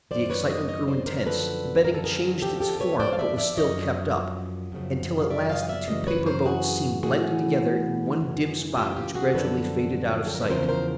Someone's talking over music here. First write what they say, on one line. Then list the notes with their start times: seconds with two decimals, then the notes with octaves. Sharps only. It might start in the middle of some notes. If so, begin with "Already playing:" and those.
The excitement grew intense; the betting changed its form, but was still kept up, until at last the two paper boats seemed blended together in one dim spot which gradually faded out of sight.
0.11 F#2 D#3 C5 D5
0.30 B4 C#5
0.49 C#5 D#5
0.68 C#5 D#5
0.87 C5 D5
1.06 A#4 C5
1.26 F#2 D3 F3 A4 B4
1.85 A#4
1.94 A4
2.04 G#4 A#4
2.42 F2 D3 F3 G4 A4
2.60 G4 A4
2.80 B4 C#5
3.00 C5 D5
3.13 F5
3.19 D5 E5
3.37 D5 E5
3.57 F#2 C#3 F3 C#5 D#5
4.72 F#2 C#3 F3
5.21 F5
5.30 D5 E5
5.49 D#5 F5
5.69 D5 E5
5.87 F#2 C#3 E3 D#5
6.07 B4 C#5
6.26 A#4 C5
6.45 F#4 G#4
7.03 A2 E3 F#4 G#4
8.19 F#2 C#3 E3
8.77 F4 G4
8.96 F4 G4
9.15 F#4 G#4
9.34 F#2 D3 F3 A4 B4
10.27 A4
10.35 A#4
10.42 B4
10.49 E2 C#3 F3 A#4 C5
10.69 A#4 C5